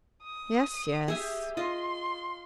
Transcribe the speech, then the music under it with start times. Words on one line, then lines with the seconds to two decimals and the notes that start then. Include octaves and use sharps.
"Yes, yes."
0.23 D#6
1.08 G4 G#4 E5 G#5
1.57 F4 D#5 C6